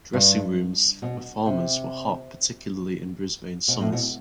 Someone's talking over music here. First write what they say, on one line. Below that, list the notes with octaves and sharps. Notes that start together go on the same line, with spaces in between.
Dressing rooms for performers were hot particularly in Brisbane summers.
G2
B2
C3
B2
A2
B2